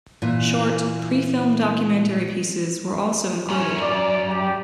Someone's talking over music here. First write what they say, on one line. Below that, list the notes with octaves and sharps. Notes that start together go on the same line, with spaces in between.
Short, pre-filmed documentary pieces were also included.
A#2 E3
B1 F#2 C#4
D5
G4